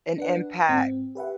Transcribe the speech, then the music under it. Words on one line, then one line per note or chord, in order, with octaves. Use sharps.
an impact
D4 B4 F#5
G#2 C4
G4 B4 E5 F#5